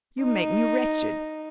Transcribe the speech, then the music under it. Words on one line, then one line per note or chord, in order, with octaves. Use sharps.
You make me wretched.
D#4